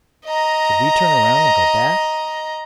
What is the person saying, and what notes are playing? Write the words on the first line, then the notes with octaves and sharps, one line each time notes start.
Should we turn around and go back?
D#5 A#5